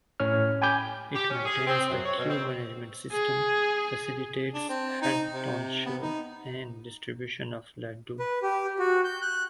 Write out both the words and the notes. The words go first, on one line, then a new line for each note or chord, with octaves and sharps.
It maintains the queue management system, facilitates head tonsure and distribution of laddu.
A2 C#4 C#5 F6
G5 G#5 B5 D6 G6
G4
C#4
G#4
C4
F#2
C#5
B2
C4
G#4
D4
C4
D#4
C3
B3
D#4
B4
G4
F#4
G6
F#6